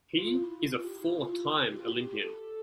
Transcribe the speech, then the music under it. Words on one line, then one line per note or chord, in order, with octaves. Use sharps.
He is a four-time Olympian.
F4
E4
F4
G4
E4
F4
G4
F4
G4
A4